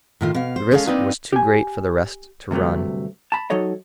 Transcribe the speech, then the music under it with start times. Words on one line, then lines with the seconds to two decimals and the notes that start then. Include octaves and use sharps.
The risk was too great for the rest to run.
0.21 A2 D#3 F4
0.34 B2 F5
0.56 C5
0.71 G#3 C#4 G#4 A4 D5 F5
0.87 A#3 C4 D4 D#4 B4 D#5
1.33 G4 G#5
2.51 D2 G2 C3 F#3 A3
3.32 A5 B5
3.50 F#3 D#4 A4 C#5 D#5